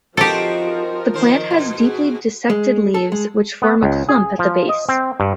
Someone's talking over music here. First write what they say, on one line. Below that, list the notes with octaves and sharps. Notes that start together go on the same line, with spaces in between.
The plant has deeply dissected leaves which form a clump at the base.
F3 C4 D#4 F#4 G4 A4 A#4
D#3 C5
B2
F#4 G#4
G#3
A4
G#3
B3
C#2
G#4
F3
D#5
C4
G2